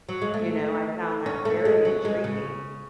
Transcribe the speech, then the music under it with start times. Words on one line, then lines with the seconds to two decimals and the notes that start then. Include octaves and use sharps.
You know, I found that very intriguing.
0.09 F#3
0.22 G#3
0.34 A3
1.26 C#4
1.45 A3
1.65 G#3
1.85 F#3
2.05 G#3
2.24 C#3